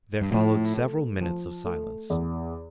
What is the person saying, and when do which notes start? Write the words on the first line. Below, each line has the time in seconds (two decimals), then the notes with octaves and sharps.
There followed several minutes of silence.
0.22 G2
0.32 A2 F3
0.76 A3
1.21 F3
1.65 A3
2.10 E2